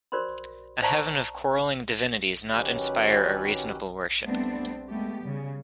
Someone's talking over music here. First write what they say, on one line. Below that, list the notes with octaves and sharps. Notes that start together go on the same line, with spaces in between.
A heaven of quarrelling divinities not inspire a reasonable worship.
F#4 A#4 C5 D5 B5 C6
C5 D5 G5 A5 A#5 C#6
D#3 F#3 C#4 G4 B4
G3 A3 B3 C4 D4
G#3 A3 B3 G4
C#3 G3